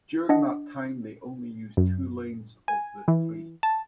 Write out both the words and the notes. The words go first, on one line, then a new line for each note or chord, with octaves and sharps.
During that time they only use two lanes of the three.
D4 D#5 F#5
F#2
G#5
E3
A5